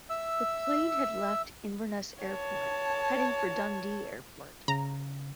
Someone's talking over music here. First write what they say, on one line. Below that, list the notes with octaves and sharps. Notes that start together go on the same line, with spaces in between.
The 'plane had left Inverness airport heading for Dundee airport.
E5 E6
C#5 A5
C#3 A#5